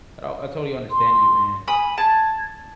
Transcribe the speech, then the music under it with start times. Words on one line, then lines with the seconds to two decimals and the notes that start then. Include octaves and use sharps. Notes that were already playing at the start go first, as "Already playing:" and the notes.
Oh, I totally understand you, and
0.90 C6
1.68 G#5 B5 D#6
1.98 A5 G#6